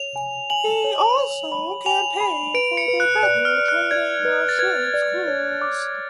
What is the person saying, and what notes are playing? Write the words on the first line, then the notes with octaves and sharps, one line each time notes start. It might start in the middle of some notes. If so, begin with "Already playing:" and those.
He also campaigned for the better training of ships crews.
Already playing: C#5 F7
G#5
G#5 F#7
C#5
C#5
B5
G#5 F7
B5
B4 D7
C#7
B4
F#6
D5 F#6
F6
D5
F#6
D5 G#6
B4
A6
B4 G#6
D5
C#5
D6